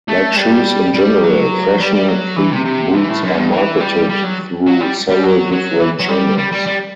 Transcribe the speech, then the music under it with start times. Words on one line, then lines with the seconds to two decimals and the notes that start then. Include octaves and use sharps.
Like shoes in general, fashion thigh boots are marketed through several different channels.
0.08 A3
0.37 G3
0.94 G3
1.23 F#3
1.80 G3
1.94 G3
2.08 F#3
2.37 E3
2.52 C3
2.66 C3
2.94 E3
3.09 A2
3.23 F#2
3.37 G2
3.52 E3
3.80 G3
4.09 G3
4.23 F#3
4.66 F#3
4.80 G3
5.09 G3
5.24 F#3
5.52 F#3
5.80 E3
6.00 F#3
6.09 G3
6.38 G3
6.52 G3
6.67 G3